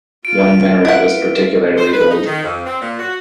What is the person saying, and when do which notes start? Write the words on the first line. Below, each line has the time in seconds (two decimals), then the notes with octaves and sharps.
One minaret is particularly old.
0.25 F4 D7
0.85 E4 F4 B4 E5 F#5
1.77 C5
1.93 B4
2.10 D#4
2.26 D#3
2.43 F2
2.66 C4
2.81 A#2
2.99 F#4